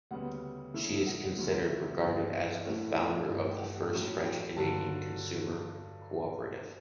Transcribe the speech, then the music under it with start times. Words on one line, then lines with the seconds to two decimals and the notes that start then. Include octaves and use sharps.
She is considered/regarded as the founder of the first French-Canadian consumer cooperative.
0.11 D2 C#3 G3 B3 F#5
0.74 C#3 E3 A3 E4
1.06 F#5
1.38 D2 C#3 F#3 C#4
1.69 E5
2.02 G2 E3 B3 E4
2.33 F#5
2.65 A2 E3 A3 C#4
2.97 E5
3.28 G2 E3 A3
3.51 G5
3.60 F#5
3.93 A2 F#3 A3 C#4
4.25 G5
4.56 G2 D3 F#3 A5